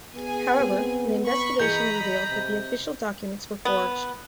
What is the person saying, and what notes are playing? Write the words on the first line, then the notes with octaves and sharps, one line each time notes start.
However, an investigation revealed that the official documents were forged.
B3 G#4 G#5
C4
B5 C#6
E3 G#4 D#5 A#5 B5 G6 C#7
C3
B3